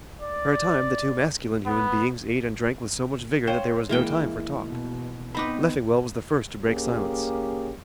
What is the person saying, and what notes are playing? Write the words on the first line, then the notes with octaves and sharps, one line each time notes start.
For a time the two masculine human beings ate and drank with so much vigor that there was no time for talk. Leffingwell was the first to break silence.
D5
B3
C5 C#5 F5 G5
E3 G#3 A#3 G5
B2
B3 C4 D#4 B4 B5 D6
A#3 C#4 G4 G#4